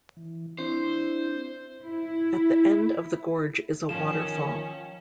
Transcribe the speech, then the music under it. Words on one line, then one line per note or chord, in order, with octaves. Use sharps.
At the end of the gorge is a waterfall.
E3
C4 D4 E4 C5
E4
D#3 F3 C#4 E7